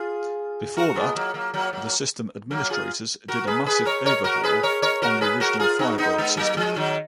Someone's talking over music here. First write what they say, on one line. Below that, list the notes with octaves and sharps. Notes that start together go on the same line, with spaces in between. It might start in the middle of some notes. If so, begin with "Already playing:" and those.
Before that, the system administrators did a massive overhaul on the original Firebird system.
Already playing: F4 G#4
F#4 A#4
G#3 B3
F#3 A#3
F#3 A#3
F#3 A#3
F#3 A#3
F#3 A#3
F4 G#4
F#4 A#4
G#4 B4
G#4 B4
A#4 C#5
A#4 C#5
F#4 A#4
G#4 B4
A#4 C#5
A#4 C#5
F#4 A#4
G#4 B4
F#4 A#4
F4 G#4
D#4 F#4
B3 D#4
G#3 B3
F#3 A#3
F3 G#3
D#3 F#3